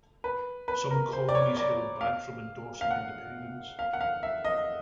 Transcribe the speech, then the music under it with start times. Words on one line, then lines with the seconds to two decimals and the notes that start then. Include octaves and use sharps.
Some colonies held back from endorsing independence.
0.24 B4
0.68 B4
0.91 A#4
1.12 C5
1.29 D5
1.35 C#5
1.57 D5
2.01 F5
2.81 F5
2.91 F#5
3.79 F5
3.93 F#5
4.01 F5
4.23 E5
4.45 D#5